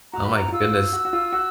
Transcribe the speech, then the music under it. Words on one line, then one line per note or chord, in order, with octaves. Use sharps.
Oh my goodness.
F#4 A#5
B5
A#5
F4 E6
F#4
F#4
F4
F#4